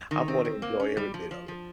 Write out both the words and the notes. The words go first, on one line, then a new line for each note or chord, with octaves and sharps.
I'm gonna enjoy every bit of it
D#3
C4
C4
A#3
C#4
G3
F3
F3
F3